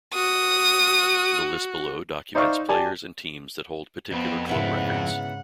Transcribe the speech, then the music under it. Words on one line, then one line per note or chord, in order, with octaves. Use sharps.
The list below documents players and teams that hold particular club records.
F#4 D#6
D#4 C5 D5 E5 F5 C#6
G4 D5 G#5 A5
F2 B3 C4
G#2 C#3 B3 E4 F#5